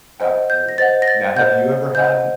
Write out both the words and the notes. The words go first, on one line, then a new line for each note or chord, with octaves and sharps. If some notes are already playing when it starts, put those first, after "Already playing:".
Absolutely. Now, have you ever had n
C5 D#5 F#5
G6
A#6
C5 D#5 F#5 A6
A#6
A6
C5 D#5 F#5 G6
C5 D#5 F#5 G6